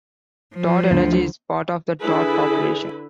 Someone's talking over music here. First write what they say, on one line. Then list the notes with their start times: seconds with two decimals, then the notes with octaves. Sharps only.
Todd Energy is part of the Todd Corporation.
0.55 F3
0.91 D2 D3
2.01 D3 E4 G#4 B4